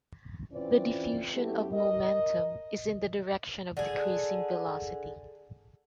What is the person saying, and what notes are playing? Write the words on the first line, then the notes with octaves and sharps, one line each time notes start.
The diffusion of momentum is in the direction of decreasing velocity.
E3 C4 C#4 F4 B4 D5
F#3 A3 B3 C#4 E4 G4
A#4 D#5
D3 G#4